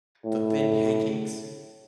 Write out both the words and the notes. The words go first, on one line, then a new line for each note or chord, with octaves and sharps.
the thin pancakes?
A2